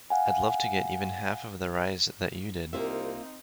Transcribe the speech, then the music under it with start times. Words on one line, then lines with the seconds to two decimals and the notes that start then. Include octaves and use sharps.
I'd love to get even half of the rise that you did.
0.10 F5 F#5 G#5
2.73 C2 A#3 C4 D#4 F4 E5